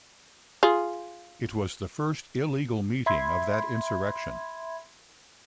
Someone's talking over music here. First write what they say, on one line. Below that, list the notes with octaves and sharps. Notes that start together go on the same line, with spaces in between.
It was the first illegal meeting of that insurrection.
F4 G#4
E5 B5 C6 G#6